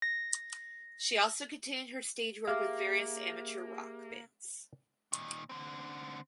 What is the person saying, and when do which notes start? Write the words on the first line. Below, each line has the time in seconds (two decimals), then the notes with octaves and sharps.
She also continued her stage work with various amateur rock bands.
0.02 A#6
2.47 A#3 G4 G#4 E5 F5 D6
5.12 A#2 D#3
5.49 D3 C4